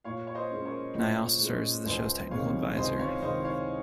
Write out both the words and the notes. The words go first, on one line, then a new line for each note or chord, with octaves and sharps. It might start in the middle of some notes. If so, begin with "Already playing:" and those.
Nye also serves as the show's technical advisor.
A#2 C#5 F5
C#5
C5 D#5
G#3 C#4
A#4 C#5
A#2 C5 D#5
G#3 C#4
C#2 C5 D#5
C3 D#3 G#3 C#5 F5
C#2 C5 D#5
C#5 F5
F5
C3 D#3 G#3 C5 D#5
C#5 F5